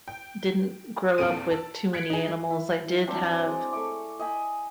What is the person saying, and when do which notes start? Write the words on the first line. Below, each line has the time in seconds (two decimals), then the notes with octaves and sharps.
didn't grow up with too many animals. I did have,
0.08 G5
1.18 E2 A#2 C4 A4 D7 D#7
1.51 A5 E6
1.93 F#6 G#6 B6 C#7 D7
2.10 D#4 G#4
2.50 E4
3.07 F#3 C4 D4 C5
3.46 G#3 D5
3.73 A3 C#6 D6
4.19 D#5 G5 G#5 B5